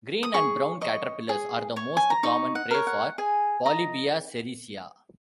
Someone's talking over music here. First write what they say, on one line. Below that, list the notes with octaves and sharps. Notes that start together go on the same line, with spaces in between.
Green and brown caterpillars are the most common prey for "Polybia sericea".
D#6
G#4 C#6
D#5 C#6
G#4
C#5
G#5
A#5
D#4 C#6
F#5
A#4 C#5
F#5
G#4 G#5
D#5 A#5